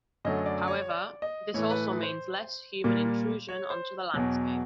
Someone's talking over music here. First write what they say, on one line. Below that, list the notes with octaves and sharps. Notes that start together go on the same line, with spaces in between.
However, this also means less human intrusion onto the landscape.
F#2 D3 F#3 A3 D#5
D5
C#5
D5
D#5
A2 E3 A3 C#5
B4
B4
C5
A#2 G3 A#3
C#5
C5
E2 B2 F#3